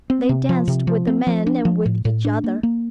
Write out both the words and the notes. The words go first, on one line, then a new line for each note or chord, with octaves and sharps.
They danced with the men and with each other.
C4
C3
F3
C3
F3
C4
F3
D4
F3
A2
A2
D4
A#3
A#3